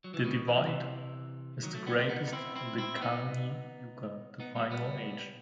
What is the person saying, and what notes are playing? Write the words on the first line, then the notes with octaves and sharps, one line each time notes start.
The divide is the greatest in the Kali Yuga, the final age.
F#3
E3
B2 D#3
E3
F#3
C3 E3
D#3 F#3
F#3 A3
G3 B3
A3 C4
B3 D#4
D#4
C4 E4
C4 E4
C4 E4
C4
B3 D#4
B3 D#4
G3 B3
G3 B3